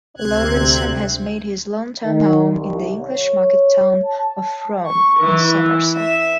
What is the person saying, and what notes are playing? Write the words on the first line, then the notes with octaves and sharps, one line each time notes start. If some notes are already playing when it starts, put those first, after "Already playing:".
Laurenson has made his long-term home in the English market-town of Frome in Somerset.
D2 C3 C4 F#6 G#6
D#3
C2
C#5
A5
C#6
E3
E5